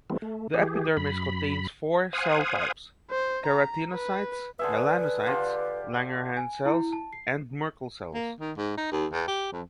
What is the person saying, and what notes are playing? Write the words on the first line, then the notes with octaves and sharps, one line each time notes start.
The epidermis contains four cell types: keratinocytes, melanocytes, Langerhans cells, and Merkel cells.
E3 G3 A3 B3 C4
A3
E3 G4 G#4
F#2 B5
C5 F5 F#5 G#5 D#6
C5
A#5
B4
D3 G#4 B4 E5
D3 F4 G4
G#5
E4
A5
C7
A#3
D#3
G#2
D#4
D#2
E2
G4
F2